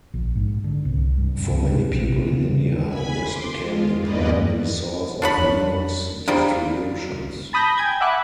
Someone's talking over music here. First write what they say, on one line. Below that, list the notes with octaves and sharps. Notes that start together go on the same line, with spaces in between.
For many people in India, this became the primary source of Linux distributions.
A#1
G#2
D3
C2
G2
C#2
C3
A#1
C3
C#3
G#5 B5 G#6 B6
C6 D6
G#3 F4
E2 G2 A#3 B4 D5 D#5
D4 C#5 B5
F2
C3 G3 A#3 D4
A5 B5 D#6 G6 A#6
G5 G#5 G#6
E5 F#5 B5 D6 F#6